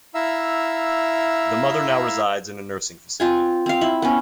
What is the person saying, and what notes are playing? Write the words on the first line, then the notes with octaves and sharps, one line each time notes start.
The mother now resides in a nursing facility.
E4 E5 F5 A#5 E6
C4 F4 G#5
C4 F5
E4
B3 C#4